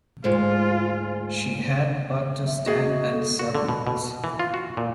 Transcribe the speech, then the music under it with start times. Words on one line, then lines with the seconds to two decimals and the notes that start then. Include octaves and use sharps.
She had but to stand and submit.
0.24 D2 G#2 G#3 F4
2.47 E5
2.66 F#4 G#4 D#5
3.12 A4
3.39 F#4
3.55 D3
3.68 B2
3.87 B2
4.24 E3
4.39 F4
4.54 F#4
4.77 A#2